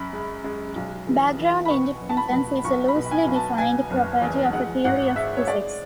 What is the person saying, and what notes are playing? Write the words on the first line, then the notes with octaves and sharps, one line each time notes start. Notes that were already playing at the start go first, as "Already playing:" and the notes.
Background-independence is a loosely defined property of a theory of physics.
Already playing: F#2 B5
G#3
G#3
B1
E3
E3
B5
B2 C#6
F#1
A5
B5
B2
B1 C#6
B5
B2
G#5
B1
A5
B2 G#5
F#1
E2
G#3 F#5
G#1 F#5
G#3 E5
C#5
G#3 D5